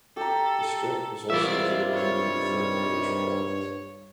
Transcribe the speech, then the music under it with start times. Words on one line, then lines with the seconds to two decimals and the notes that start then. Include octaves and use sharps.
The strip was also available in third page format.
0.17 G4 A4 A#5
1.30 C3 D#3 E3 G3 F4 D5 E5
1.94 G2 C#5